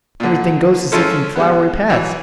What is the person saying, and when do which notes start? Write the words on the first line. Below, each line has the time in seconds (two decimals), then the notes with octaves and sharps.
"Everything goes as if in flowery paths."
0.20 A#2 D3
0.92 F3 G#3 C#4 E4 F4 A4
1.36 G3 G#3 B3
1.90 E3 F#3